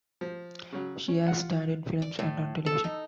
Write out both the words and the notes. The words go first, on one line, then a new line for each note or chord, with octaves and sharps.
She has starred in films and on television.
F3
C#3 F#3
C#4
F4 F#5
D5
A2
A4
D#4